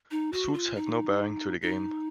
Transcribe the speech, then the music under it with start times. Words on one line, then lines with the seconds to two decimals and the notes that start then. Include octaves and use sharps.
Suits have no bearing to the game.
0.11 D#4
0.33 F#4
0.54 F4
0.75 D#4
1.62 D#4